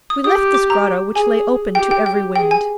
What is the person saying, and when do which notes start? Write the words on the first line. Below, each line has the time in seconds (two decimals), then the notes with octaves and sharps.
We left this grotto which lay open to every wind.
0.10 D#6
0.24 G4 D#6
0.54 D6
0.70 A#5
1.15 G#4 G#5
1.75 G4 G5
1.91 G5
2.06 G5
2.36 G#4 G5
2.51 G#5